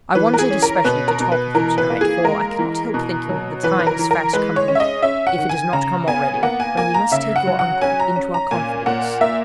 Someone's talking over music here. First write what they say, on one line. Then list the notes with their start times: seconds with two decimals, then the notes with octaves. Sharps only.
I wanted especially to talk with you to-night, for I cannot help thinking that the time is fast coming--if it has not come already--when we must take your uncle into our confidence.
0.15 E3 B4
0.34 A#4
0.39 G#4
0.50 C#4
0.62 A#4
0.85 B2 B4
1.08 A#4
1.20 B2
1.32 B4
1.55 E3 A#4
1.78 B4
1.90 A#3
2.01 G#4
2.24 G#3 A#4
2.59 E3
2.94 B2
3.29 F#3
3.63 E3 B4
3.79 B4
3.87 A#4
3.99 E3
4.11 A#4
4.33 G#3 B4
4.56 C#5
4.68 C#4
4.75 E5
4.80 D#5
5.02 C#4 E5
5.27 F#5
5.38 D#3
5.49 G#5
5.73 C#3 A#5
6.07 B3 G#5
6.43 A#3 F#5
6.60 G#5
6.77 A#3 G#5
6.94 A#5
7.11 C#3 E5
7.36 F#5
7.47 F#3
7.59 F#5
7.81 C#4 G#5
8.00 A#5
8.16 C#4
8.34 A#5
8.51 A#2 G#5
8.86 A#2 F#5
9.21 A#3 E5